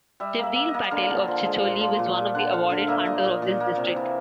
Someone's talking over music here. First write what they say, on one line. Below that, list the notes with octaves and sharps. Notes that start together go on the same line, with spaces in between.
Shivdeen Patel of Chicholi Was one of the awarded Hunter of this district.
G3 E5
A#3 E5
A#3
D#5
A#3
D3 F5
D3
F3
G#3
A#2
F3
A#2
A#2
D3 F#5
D3 F5
D3 F5
A#3 E5
A#2 D#5
A#2
A#2
A#3
C3
E3